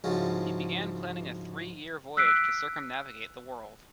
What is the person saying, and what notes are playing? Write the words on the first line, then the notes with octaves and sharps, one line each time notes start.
He began planning a three-year voyage to circumnavigate the world.
C2 G#2 C#3 F3 C#4 F#4
E6 F#6 B6 C7 D7